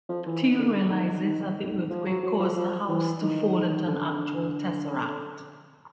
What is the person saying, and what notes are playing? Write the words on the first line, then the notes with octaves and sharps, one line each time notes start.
Teal realizes that the earthquake caused the house to fold into an actual tesseract.
F3
E3
D#3
D3
D#3
D#3
F3
F#3
F#3
F3
F3
E3
D#3
D3